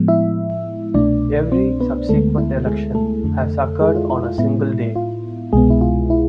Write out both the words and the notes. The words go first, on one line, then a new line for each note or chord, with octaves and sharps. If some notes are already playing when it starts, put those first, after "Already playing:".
Every subsequent election has occurred on a single day.
Already playing: A2 F3 G#3 B3
E4 E5
C2 B2 A3 D4 D5
C4 C5
B3 B4
D2 D3 G#3 A3 B3 A4
E4
G#3 G#4
A3 A4
F2 D3 A3
G#3 G#4
E4
F4
E4
F4
A2 G#3 B3 E4
F4
C2 B2 G#3 B3 G#4
E4
F4
E4